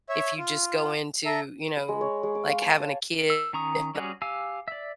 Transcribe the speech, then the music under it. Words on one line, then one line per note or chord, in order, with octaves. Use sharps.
if you just go into, you know, like having a kid and,
C#5 E5
F4
A4 E5 A#5
B5
G#3
C#5
G#3
D6
F5
A5
C#5
E6
D#3 C#4 A#5 C#6 D#6
G3 C#4 F#4 G#4
G4 F5 G#5 E6
D5 E5